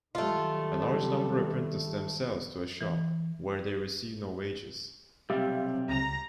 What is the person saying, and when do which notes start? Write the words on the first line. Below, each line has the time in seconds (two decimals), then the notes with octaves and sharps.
A large number apprentice themselves to a shop, where they receive no wages.
0.15 D#3 F#3 G3 A3 F4
2.81 E3
5.30 B1 C3 G3 G4 E5 F5
5.89 C#2 A#5